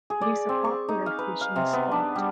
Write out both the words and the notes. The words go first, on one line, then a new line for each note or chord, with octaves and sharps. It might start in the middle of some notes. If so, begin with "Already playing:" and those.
It is a popular fishing spot.
G#4
D5
C4
C#6
D#4
F5
B4
F5
C3
B3
D4
G3